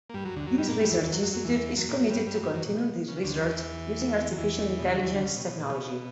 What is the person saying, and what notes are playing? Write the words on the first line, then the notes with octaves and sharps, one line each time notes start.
This research institute is committed to continuing this research using Artificial intelligence technology.
A#3
G2 G3
F#2 F#3
D2 D3
F#2 F#3
G2 G3
A#2 A#3
G2 G3
E2 E3
E2 E3
F#2 F#3
F#2 F#3
F#2 F#3
E2 E3
F#2 F#3
A#2 A#3
F#2 F#3
G2 G3
G2 G3
F#3
G2 G3
F#2 F#3
A#2
B2
C#3
D2 D3
E2 E3
F#3
E2 E3
B2
C#3
D3
E2 E3
D2 D3
C#3
B2
B2
A#2
B2